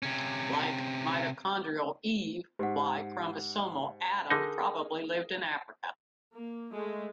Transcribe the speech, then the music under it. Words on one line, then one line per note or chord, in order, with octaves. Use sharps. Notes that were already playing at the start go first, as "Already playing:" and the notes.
Like mitochondrial "Eve", Y-chromosomal "Adam" probably lived in Africa.
C3 C#4
G#2 G4 F#5
D3 D#4 G#4 A#4
A#3
G#3 A3